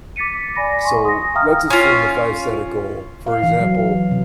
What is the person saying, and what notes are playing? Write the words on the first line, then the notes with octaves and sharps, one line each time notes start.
so, let's assume if I set a goal, for example
D6 A6 B6 C#7 D#7
D5 G#5 B5 A#6
G#5 C6 C#6
D#6 A#6
E5 F5 G5 A#5 D#6 F6
C#4 F4
F5
E3
F#3
C3